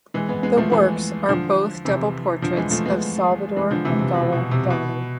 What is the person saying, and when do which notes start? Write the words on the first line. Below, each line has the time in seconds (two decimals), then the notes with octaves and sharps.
The works are both double portraits of Salvador and Gala Dali.
0.14 E3 G#3
0.29 G#3 B3
0.43 G#3 B3
0.57 F3 A3
0.72 E3 G#3
1.29 D3 F3
1.85 C3 E3
2.42 D3 F3
2.57 E3 G#3
2.71 F3 A3
2.86 G#3 B3
3.56 E3 G#3
3.71 D3 F3
3.85 C3 E3
3.99 C3
4.14 B2
4.32 B2
4.51 C3
4.70 B2